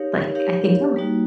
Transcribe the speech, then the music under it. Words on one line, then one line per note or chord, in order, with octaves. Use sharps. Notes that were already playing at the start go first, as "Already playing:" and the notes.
like, I think I would
Already playing: D#4 G4 A#4 C#5 F5
D#4 G4 A#4 C#5 F5
G3 A#3 D#4 F#4